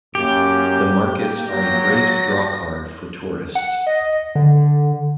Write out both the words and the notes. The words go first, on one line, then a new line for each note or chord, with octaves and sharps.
The markets are a great drawcard for tourists.
F#2 A#3 G4
F#3 A#6
F#5
D#5
D3